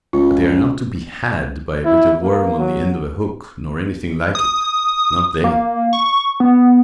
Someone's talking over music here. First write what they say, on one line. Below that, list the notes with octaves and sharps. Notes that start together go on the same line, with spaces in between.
But they are not to be "had" by a bit of worm on the end of a hook, nor anything like it--not they!
C#2 F4
E4
A#3
F#3
D#6
A#3
C#6
B3